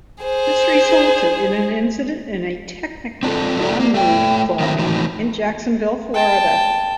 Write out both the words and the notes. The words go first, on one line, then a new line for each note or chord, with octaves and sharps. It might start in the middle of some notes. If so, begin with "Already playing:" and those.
This resulted in an incident in a technically non-nude club in Jacksonville, Florida.
G#4 C5
C4 D4 F4 A4
E4 G4 A4 D5
A#3
A3 G5
D#3 F3 F#3 C4 E4 A#4
A2 E3 F3 D#4 F#4
G5 A5